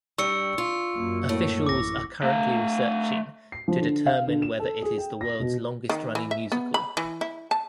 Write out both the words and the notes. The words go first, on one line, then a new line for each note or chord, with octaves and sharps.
Officials are currently researching to determine whether it is the world's longest running musical.
G2 G3 C#6 E6 C#7
F4
F#2 A#3
A2
A1 D6 A#6
A3 F5
C7
F3
D3
F5
D3
E7
A4
G#4
G5
A#6
B2
D#3
E3
E5
B3
B5
E3
E4
A5